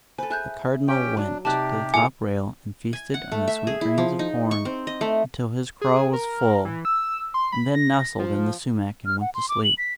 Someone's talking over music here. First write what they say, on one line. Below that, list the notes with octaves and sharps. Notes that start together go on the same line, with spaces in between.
The Cardinal went to the top rail and feasted on the sweet grains of corn until his craw was full, and then nestled in the sumac and went to sleep.
A4 B4 C5 G#5
G#4 E5 G#5 F#6 G6
C#4 G4 G5
F#3 D4
C3 D#4 G4 D5 A5 F#6
A3 E4 G#4 G#5 D6 C#7 F7
G#5
F#5
A3
E5
G#4
E4
F3
D#4
C#6
C4
D#5
A3
G#4
A#4
E3
E6
C6
B5
A#6
F3
F6
F#5
C6
D6
F#7
B6